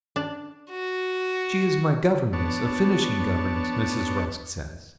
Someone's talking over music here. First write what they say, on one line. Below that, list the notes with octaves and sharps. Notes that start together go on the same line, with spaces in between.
She is my governess--a finishing governess, Mrs. Rusk says.'
D4
F#4
B3 D4 C#5 A5